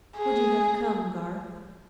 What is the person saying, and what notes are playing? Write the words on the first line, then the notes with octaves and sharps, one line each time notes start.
Would you have come, Garth?
G#4